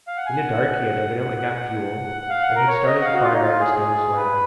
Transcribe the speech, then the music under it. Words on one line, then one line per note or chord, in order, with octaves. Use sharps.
In the dark he had evidently got fuel, and had started a fire on the stone slab.
F5
F#5
G#5
F#5
F#5
F#5
F#5
F#5
F5
F#5
A#4
C#5
D#5
F#5
F5
F#4
F4
D#4
F4
G#4
G#4
B4